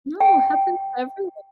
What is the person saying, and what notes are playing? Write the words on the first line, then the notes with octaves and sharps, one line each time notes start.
No, happens to everyone.
G5